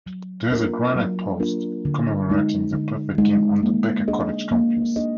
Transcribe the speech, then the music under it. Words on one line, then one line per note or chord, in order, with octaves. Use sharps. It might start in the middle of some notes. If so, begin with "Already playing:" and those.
There is a granite post commemorating the perfect game on the Becker College campus.
F#3
A#3 D4 F4 A#4
F#3
A#3 D4 F4 A#4
D3
G#3 D#4
D3
G#3 D#4
A#3
D4 G#4 D#5
A#3
D4 G#4 D#5